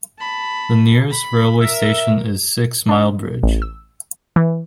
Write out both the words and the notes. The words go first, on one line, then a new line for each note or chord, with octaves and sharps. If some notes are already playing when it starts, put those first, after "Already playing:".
The nearest railway station is in Sixmilebridge.
A5 B5
B5
A#4 E5
D4
A1
E6
E3